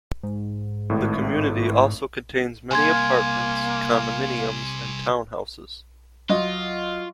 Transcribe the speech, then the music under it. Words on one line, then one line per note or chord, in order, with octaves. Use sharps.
The community also contains many apartments, condominiums, and townhouses.
G#2
G#1 A2
C2 A#3 G#5 C6 G#6
F#3 F4 D#5